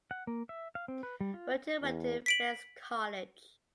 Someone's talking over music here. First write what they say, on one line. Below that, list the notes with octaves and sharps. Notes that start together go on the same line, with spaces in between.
Wilton went to Fettes College.
F#5
A#3
E5
F5
C4
B4
G3
F4
E2
B6 D7 F#7